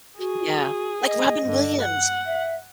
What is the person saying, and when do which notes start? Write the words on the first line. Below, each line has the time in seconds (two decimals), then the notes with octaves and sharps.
Yeah, like Robin Williams,
0.18 F#4 G#4
1.05 D#5
1.44 G2 D3
1.81 F#5
2.26 E5